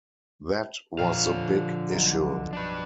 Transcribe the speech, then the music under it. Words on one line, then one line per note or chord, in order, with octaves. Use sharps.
That was the big issue.
A#2 D3 F3 F5
B1
D4 B4